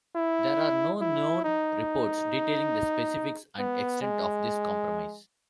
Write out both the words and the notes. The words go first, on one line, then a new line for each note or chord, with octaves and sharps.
There are no known reports detailing the specifics and extent of this compromise.
E4
E4
D#4
B3
G#3